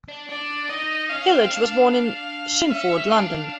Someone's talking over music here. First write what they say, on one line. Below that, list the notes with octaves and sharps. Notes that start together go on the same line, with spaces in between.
Hillage was born in Chingford, London.
D4
D4 D5
D#4 D#5
C#4 F5
C4
D4
F5
C#4 E5
D4 F5